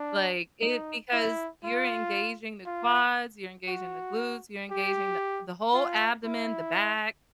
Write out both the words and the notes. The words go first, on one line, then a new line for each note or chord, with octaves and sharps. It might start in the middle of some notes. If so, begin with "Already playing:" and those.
like, it because you're engaging the quads, you're engaging the glutes, you're engaging the the whole abdomen, the back,
Already playing: D4
D#4
E4
F4
F4
F#4
G4
F4
E4